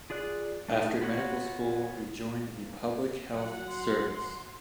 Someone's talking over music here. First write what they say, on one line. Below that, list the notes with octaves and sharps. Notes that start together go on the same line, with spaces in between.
After medical school he joined the Public Health Service.
F4 G#4 D5 F#6
A3 A#3 D#4
B3 F4 F#4 C#5 F#5
A#3
F#3 F#5
C6